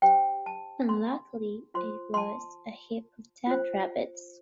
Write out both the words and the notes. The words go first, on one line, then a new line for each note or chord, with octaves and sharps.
Unluckily, it was a heap of dead rabbits.
D4 G4 C5 G5
A5
C6
F4 C5 C6
C6
A5
F4 C5